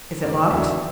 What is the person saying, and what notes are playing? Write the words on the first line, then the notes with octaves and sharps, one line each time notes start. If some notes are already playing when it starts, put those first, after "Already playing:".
"Is it locked?"
F#1 D5
E2 D3 F#3 E5